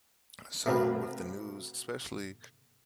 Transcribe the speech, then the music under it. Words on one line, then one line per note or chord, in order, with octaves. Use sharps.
On a so with the news, especially
A3 A#3 C4 F#4 A#4 B4